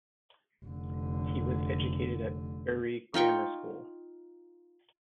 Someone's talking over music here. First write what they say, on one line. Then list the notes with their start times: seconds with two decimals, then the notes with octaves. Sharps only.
He was educated at Bury Grammar School.
0.66 F1 D3
3.14 D#4 F4 G5 C#6